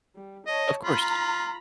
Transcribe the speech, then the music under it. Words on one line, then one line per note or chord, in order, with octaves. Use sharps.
Of course,
G3
C#5 D#5 A5
F4 A#5 B5